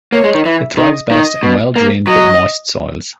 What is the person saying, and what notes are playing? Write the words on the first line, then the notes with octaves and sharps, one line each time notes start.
It thrives best in well-drained but moist soils.
A#3 C#5
G#3
D#3
E3 E5
D#3 D#5
D#3 D#5
B2
A#3
F#3 D#5